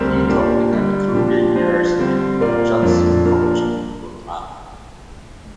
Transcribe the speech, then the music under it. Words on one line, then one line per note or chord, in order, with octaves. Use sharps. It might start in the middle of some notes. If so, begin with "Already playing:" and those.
He taught at Columbia University and Judson College in Burma.
Already playing: D2 D3 G3 C4 A#4
A#2 A#3 D4 G4 D5
D3 G3 A#3
A#2 F3 D4 G4
F3 D4 F4 C5
D3 G3 C4
A#2 A#3 F4 A#4 D5
F2 F3 D4
A#2 F3 D4 A#4